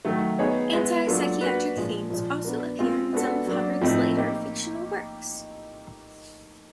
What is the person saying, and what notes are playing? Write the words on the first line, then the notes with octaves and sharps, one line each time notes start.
Anti-psychiatric themes also appear in some of Hubbard's later fictional works.
D#3 F#3 A3
B3 D#4 G#4 C#5
G#3 B3 E4
F#3 A#3 D4 F4 A4
A#3 D4 F#4 B4
A#2 F3 G#3
A#2 F3 G#3
B3 D4 F#4 A#4
G#3 C4 F4
G#3 B3 D4 F#4 A4
F#3 A#3 D4
A2 F3 A3 C4 D#4
A#3 D#4 G4